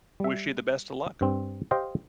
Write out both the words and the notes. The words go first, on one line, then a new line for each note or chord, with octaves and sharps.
wish you the best of luck.
G3 E5
G2 C4
G4 C5 D#5 F5 G5